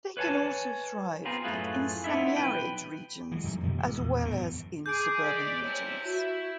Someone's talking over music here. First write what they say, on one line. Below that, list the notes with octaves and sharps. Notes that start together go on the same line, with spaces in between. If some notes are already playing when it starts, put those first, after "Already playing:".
They can also thrive in semiarid regions as well as in suburban regions.
B4 C#5 F5 G#5 A5
B3 C4 F4 G#4 A#4 C5
F#2 A2 A3 F4 G#4 B4
B3 C4 D#4 E4 E5
B1 B4 G5
E3 G3 G#3
F2 D#3 G3
B2 E3 A3 A#3
A1 G#3
A#1 E2
D1 F#2 B2 B3
G#4 D6 G6 D7
G#3 D5 B6
G2 C3 E4 C#5
E4 F#4